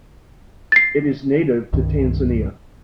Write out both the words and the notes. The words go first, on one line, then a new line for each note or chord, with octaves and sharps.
It is native to Tanzania.
A6 C7
C2 G2 D#3